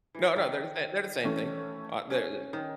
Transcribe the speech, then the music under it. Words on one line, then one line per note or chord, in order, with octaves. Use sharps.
No, no, they're the same they're the same thing. Uh, they they're
E3
D#3
E3 A3 C#4
C#4
D#3